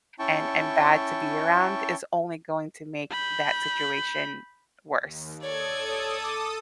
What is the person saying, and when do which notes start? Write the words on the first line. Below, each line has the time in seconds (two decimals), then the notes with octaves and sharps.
and and bad to be around is only going to make that situation worse.
0.19 C#4 E4 G5 A5 C#6
3.10 B5 G6
4.98 D#2
5.43 A4 C#5 D5 D#6 G#6
5.88 C#5
6.23 D6